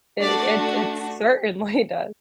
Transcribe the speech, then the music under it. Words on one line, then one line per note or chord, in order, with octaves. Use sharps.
It it it certainly does.
A3 D4 F#4 D5